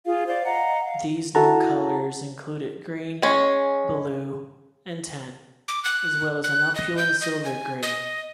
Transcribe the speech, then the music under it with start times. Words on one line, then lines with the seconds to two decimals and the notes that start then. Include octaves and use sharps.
These new colors included green, blue and tan as well as an opulent silver-gray.
0.06 F4 G#4 F5
0.28 C5 D5 F5
0.45 D#5 F5 F#5 A#5
0.84 F5
1.35 E4 F#4 A4 F#5 A5 A#5
3.22 G#3 C#4
5.68 D6
5.84 F#6
6.44 F#6
6.76 D#5
6.97 G6
7.21 D#5
7.45 G#5
7.83 D#5